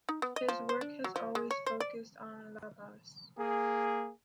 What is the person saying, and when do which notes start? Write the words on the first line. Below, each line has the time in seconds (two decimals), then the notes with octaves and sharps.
His work has always focused on La Paz.
0.09 D#4
0.22 B3
0.36 D#5
0.48 F3
0.69 C5
0.81 D4
1.04 F#3
1.16 F3
1.35 G#3
1.51 C#5
1.66 C5
1.80 D5
3.38 A#3 G#4